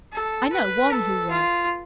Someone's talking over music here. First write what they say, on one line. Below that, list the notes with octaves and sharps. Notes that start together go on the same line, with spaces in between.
I know one who will.
A4
B4
A4
F4